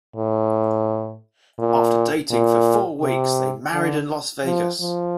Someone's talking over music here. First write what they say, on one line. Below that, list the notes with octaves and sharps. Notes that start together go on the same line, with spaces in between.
After dating for four weeks, they married in Las Vegas.
A2
A#2
A#2
C3
D3
F3
F3